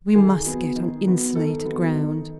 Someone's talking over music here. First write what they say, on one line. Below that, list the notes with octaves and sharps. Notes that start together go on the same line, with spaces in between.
We must get on insulated ground.
D#3 G#4
F#3 B3
D#3
F#3 B3
D#3 A4
F#3 B3
D#3